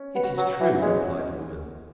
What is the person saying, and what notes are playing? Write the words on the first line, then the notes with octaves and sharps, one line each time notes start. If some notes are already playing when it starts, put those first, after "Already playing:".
"It is true," replied the woman.
Already playing: C#4
B3
F#4
F#3
F#4
E3
G#3 C#4